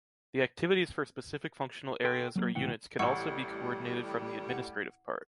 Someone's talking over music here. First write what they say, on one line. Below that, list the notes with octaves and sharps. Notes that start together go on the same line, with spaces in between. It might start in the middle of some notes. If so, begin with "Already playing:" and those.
The activities for specific functional areas or units can also be coordinated from the administrative part.
A4 B4 G5 C6
F#3 A3 A#3
C#2 A2 E3 F#4 F#5 G5
A1 A2 G3 F#5 C#6 E6
F#5